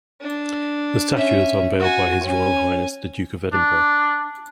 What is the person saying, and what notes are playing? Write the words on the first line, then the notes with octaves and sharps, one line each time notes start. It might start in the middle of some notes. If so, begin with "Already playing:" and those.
The statue was unveiled by His Royal Highness, The Duke of Edinburgh.
D4
C#4 E5
F#4 G#5
C#4 G#5
D4